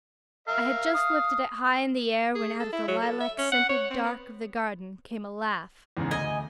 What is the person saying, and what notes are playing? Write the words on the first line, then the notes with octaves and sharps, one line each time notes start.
I had just lifted it high in the air when out of the lilac-scented dark of the garden came a laugh.
A#4 E5 F5
D#6
G#4
A4
E4
F#3
A4
E5
C#4
F#5
C#5
C4
B3
E2 G#2 C#3
D2 D#5 G#5